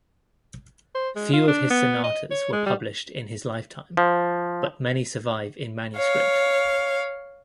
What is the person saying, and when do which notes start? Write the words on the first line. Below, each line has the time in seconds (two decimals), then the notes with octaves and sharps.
Few of his sonatas were published in his lifetime, but many survive in manuscript.
0.95 C5
1.16 G#3
1.33 F4
1.48 D4
1.71 B3
2.04 D#5
2.31 C#5
2.53 G#3
2.66 G3
3.97 F3
5.96 C#5 F5